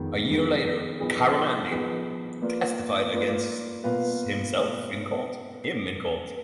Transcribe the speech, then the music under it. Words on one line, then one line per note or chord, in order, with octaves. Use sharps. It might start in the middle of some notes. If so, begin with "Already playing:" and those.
A year later, Caramandi testified against him in court.
Already playing: F2 D#3 G#3 B3
F2 D#3 G#3 B3
F3 B3 D#4 G#4 B4
F3 B3 D#4 G#4 B4
A#3 F4 B4 D5
A#3 F4 B4 D5
B2 A#3 F4 B4 F5